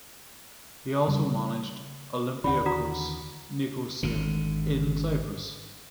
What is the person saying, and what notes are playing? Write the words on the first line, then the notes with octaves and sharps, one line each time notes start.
He also managed Olympiakos Nicosia in Cyprus.
C#3 G3
D#2 D3 E3 D5 F#5 B5
F#4 F#5 A#5 D#6
G#1 D3